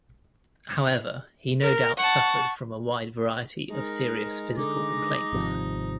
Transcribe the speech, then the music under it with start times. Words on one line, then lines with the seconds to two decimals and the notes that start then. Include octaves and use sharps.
However, he no doubt suffered from a wide variety of serious physical complaints.
1.63 A#4
1.97 F#5 A5 C#6
3.71 G#3 D#4 A#4
4.57 D3 D#4 D#5 D6
5.33 G#1 C3 F3